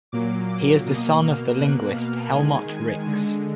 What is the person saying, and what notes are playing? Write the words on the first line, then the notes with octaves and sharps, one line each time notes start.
He is the son of the linguist Helmut Rix.
A#2 F#3 A#3 D6
D6
B2 A#3 D#6
F6
B2 A#3 F#6
F6
D#3 G#3 G#5
G#5
D3 G#3